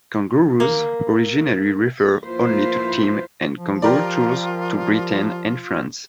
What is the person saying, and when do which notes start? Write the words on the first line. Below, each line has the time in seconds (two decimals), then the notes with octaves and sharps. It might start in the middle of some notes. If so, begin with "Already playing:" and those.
"Kangaroos" originally referred only to teams on "Kangaroo Tours" to Britain and France.
0.60 A#3
2.25 F3 A#3 E4 F4 B4 C5
3.55 F3
3.82 F4 G4 A#4 D5